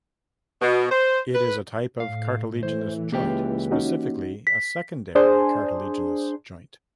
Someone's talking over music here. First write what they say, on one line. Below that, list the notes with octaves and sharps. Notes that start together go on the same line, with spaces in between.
It is a type of cartilaginous joint, specifically a secondary cartilaginous joint.
B2
C5
B4
A2 F5
A2 E3 C5
C#2 A#3 G4 G5
C#4 D#4 F#4
B6
D4 G#4 C5